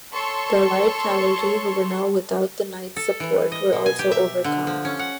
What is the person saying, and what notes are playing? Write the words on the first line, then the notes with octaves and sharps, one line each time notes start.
The light cavalry, who were now without the knights' support, were also overcome.
A4 C#5 C6 C#6
A4
E3
D#5
B2
G#5
G4
E5
D3
F3
C#4
F#5